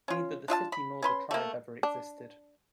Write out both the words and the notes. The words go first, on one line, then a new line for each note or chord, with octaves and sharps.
Neither the city nor the tribe ever existed.
C#4 F4
D4 F4 E5 A5
B5
C#4 B4 C6
A3 A#3
D4